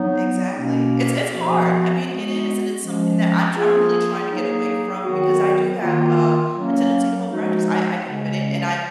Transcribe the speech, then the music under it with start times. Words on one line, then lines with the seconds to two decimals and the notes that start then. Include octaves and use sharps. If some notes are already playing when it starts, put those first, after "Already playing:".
Exactly. It's it's hard, I mean, it is, and it's something that I'm tr I'm really trying to get away from because I do have a a tendency to hold grudges. I I can admit it, and I'm
Already playing: F#3 B3 D#4
0.55 B2 A#3 C#4
1.30 F3 B3 F#4
2.04 G#3 B3 F#4
2.79 F3 G#3 C#4
3.54 F3 A#3 F4 G#4
4.29 F#3 A#3 D#4 G#4
5.04 D#3 F#3 B3 F#4
5.78 D#3 A#3 F4
6.53 F#3 A#3 C#4
7.28 F3 G#3 D#4 F#4
8.04 C#3 G#3 C#4